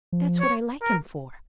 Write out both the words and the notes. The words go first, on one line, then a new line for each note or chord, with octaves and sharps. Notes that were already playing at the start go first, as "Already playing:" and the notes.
"That's what I like him for."
F3
C#5
A#4